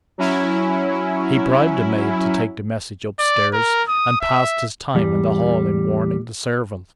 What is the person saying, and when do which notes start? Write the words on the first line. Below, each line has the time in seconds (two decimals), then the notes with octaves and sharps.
He bribed a maid to take the message upstairs; and passed his time in the hall in warning the servants.
0.18 F#3 C#4 E4
3.19 D5
3.53 A#4
3.88 D#6
4.21 E5
4.95 E2 G3